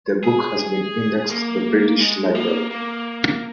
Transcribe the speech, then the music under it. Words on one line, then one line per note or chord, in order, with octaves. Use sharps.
The book has been indexed The British Library.
G#4
G#4
A#3
G#3
A#3
A#3